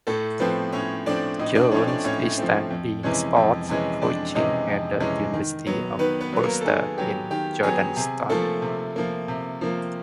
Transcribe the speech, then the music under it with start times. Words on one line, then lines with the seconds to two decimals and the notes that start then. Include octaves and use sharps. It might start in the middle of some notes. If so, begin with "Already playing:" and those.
Jones is studying sports coaching at the University of Ulster in Jordanstown.
0.07 A2 A3 A4
0.40 F3 A3 B3 C4 B4
0.72 A2 C#4 C#5
1.06 F3 A3 C4 D4 D5
1.39 A2 D#4 D#5
1.55 D4 D5
1.71 F3 A3 C4 C#4 C#5
1.88 D4 D5
2.04 A2 C#4 C#5
2.37 F3 A3 C4
2.70 F2
3.03 C3 E3 G#3 C#4
3.36 F2
3.69 C3 E3 G#3 C#4
4.01 F2 D4 D5
4.35 C3 E3 G#3 C#4 D#4 D#5
4.68 F2
5.00 C3 E3 G#3 C#4
5.34 D#3
5.66 F#3 B3
5.99 D#3 B3 B4
6.21 B3 B4
6.33 F#3 B3
6.43 A#3 A#4
6.61 A4
6.65 D#3 G#4
6.98 F#3 B3 G4
7.30 D#3 G4
7.63 F#3 B3 G#4
7.96 C3 G#4
8.29 F3 A3 A#3 A4
8.62 C3
8.96 F3 A#3
9.28 C3
9.61 F3 A#3